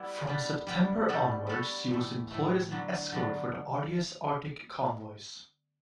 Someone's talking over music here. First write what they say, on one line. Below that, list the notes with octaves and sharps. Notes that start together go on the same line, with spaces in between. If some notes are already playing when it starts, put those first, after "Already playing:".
From September onward, she was employed as an escort for the arduous Arctic Convoys.
Already playing: G3 B3 E4
G3 B3 D4
G3 B3 D4
G3 B3 F#4 A4
G3 B3 F#4 A4
A2 E3 A3
A2 E3 A3
D3 F#3 B3 D4
D3 F#3 B3 D4